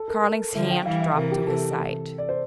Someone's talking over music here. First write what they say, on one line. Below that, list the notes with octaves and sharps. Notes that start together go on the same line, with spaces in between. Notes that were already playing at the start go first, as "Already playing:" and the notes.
Carling's hand dropped to his side.
Already playing: A4
A#4
A4
D3 F3 E5
G5
E3 G3 F5
E5
C3 E3 A#4
G4
C3 A4
D5
C5